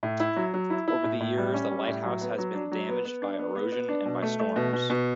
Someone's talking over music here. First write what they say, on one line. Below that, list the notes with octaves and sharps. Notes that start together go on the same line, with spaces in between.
Over the years, the Lighthouse has been damaged by erosion and by storms.
A2
E4
F#3
F#3
E4
E4
A2
A2
G3
C#4
G3
A2
F#3
B3
F#3
D4
F#3
B3
B3
D4
B3
B3
B3
D4
B2
A3
A3
B2
B2
B2